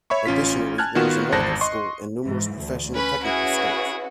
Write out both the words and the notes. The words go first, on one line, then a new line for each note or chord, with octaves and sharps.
Additionally, there is a medical school and numerous professional technical schools.
C#5 E5 B5 C#6
A1 C#4 F4 B6
G#5 A5 F6 F#6 G#6
D#3 B3 F4 F#4 B4 E7
G#1 E2 C5 A5 F#6 A#6
D#5 C6 C#6
G#2 E3
D2
C#4 B4 B5
C#4 E4 F#4 G#4 B4